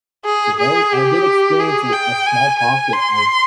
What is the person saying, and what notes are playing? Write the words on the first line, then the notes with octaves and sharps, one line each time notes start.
So there w I did experience a small pocket of
G#4
G#4
G4
G#4
G5
G#5
G#5
C6